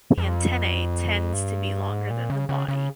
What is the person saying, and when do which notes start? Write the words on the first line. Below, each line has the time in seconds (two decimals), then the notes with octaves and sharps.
The antennae tends to be longer than the body.
0.18 F2
1.33 G2
1.90 G#2
2.11 A#2
2.30 C#3
2.49 C#3
2.68 C#3